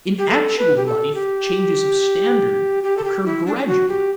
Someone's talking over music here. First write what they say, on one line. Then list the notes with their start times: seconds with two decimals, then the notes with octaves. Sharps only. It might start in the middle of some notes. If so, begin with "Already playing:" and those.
In actual life changes of standard occur gradually.
0.18 G4
0.29 A4
0.58 B4
0.77 G4
0.86 A4
1.15 G4
2.83 G4
2.97 A4
3.04 G4
3.25 E4
3.46 D4
3.68 F#4
3.89 G4